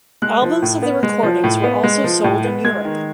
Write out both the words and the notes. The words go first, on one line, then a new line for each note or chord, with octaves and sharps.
Albums of the recordings were also sold in Europe.
G#3 F#6
F3
A2
B3
G#3
F3
A2
B3
G#3
F3
A2
B3
G#3 G#6
D#3